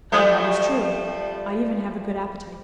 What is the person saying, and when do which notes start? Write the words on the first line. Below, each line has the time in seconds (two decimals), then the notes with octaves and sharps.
"Come, that is true; I even have a good appetite."
0.12 F3 G3 A3